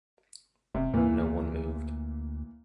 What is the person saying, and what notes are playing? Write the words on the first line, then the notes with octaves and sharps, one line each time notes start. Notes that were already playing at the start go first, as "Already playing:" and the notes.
No one moved.
E1 C3
D2 A#2 E3